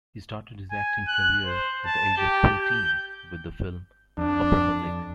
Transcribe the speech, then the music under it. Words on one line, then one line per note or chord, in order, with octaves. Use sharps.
He started his acting career at the age of thirteen with the film "Opraholic".
G#5
F#6
C5
A5
G4
G6
F2 D4